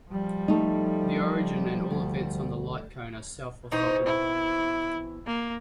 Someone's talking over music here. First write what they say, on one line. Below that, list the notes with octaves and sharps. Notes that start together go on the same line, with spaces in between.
The origin and all events on the light cone are self-orthogonal.
F3 G3
A3 D#4
D2
B2 E3 C4 D#4
E4
A#3